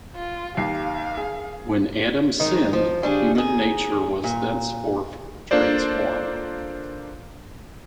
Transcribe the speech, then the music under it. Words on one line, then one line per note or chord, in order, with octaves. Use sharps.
When Adam sinned, human nature was thenceforth transformed.
F4
D#2 G4 F5 C7
G#4
D#3 G#3 D#4
F3
C#3 G3 D4 G#4
D#3 G#4
A#2
A#3 D4 F4 A4 C5 D5